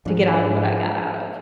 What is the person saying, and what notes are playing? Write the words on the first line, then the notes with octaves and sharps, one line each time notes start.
to get outta what I got out of,
G#2 F3 D4 G#4